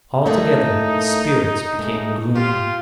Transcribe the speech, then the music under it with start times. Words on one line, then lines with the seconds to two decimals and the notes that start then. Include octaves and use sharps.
Altogether his spirits became gloomy.
0.26 A2 A3 A#3 D#4
1.79 G#2 A3
2.36 F4 G4